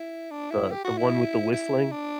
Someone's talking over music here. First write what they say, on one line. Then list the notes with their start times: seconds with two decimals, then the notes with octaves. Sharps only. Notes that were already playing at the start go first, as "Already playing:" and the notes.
The the one with the whistling?
Already playing: E4
0.31 D4
0.51 E4
0.71 G4
0.84 F#4
0.98 E4
1.52 E4
1.92 D4